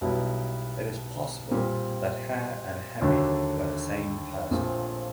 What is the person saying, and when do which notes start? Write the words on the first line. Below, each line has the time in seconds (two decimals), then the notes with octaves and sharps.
It is possible that Hare and Hemi were the same person.
0.01 B1 B2 G3 B3 E4
1.51 A#2 G3 C4
3.01 D#2 D3 F#3 A3 D4
4.51 A#1 A#2 F3 A3 C4